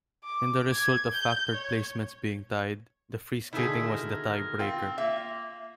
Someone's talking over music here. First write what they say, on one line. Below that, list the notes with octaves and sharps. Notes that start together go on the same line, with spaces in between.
In the result of factored placements being tied, the free skating was the tie-breaker.
D6
G#6
G6
C#5
B2 D3 D#3 E4 G#4 E5
A#4
C4 F4 G5
A#3 E5